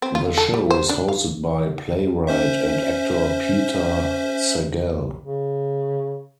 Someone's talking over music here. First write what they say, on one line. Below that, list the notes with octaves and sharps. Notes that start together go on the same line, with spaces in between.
The show is hosted by playwright and actor Peter Sagal.
C4
F4
A4
G3
C5
D4
F5
C#4 C5 E5
C#3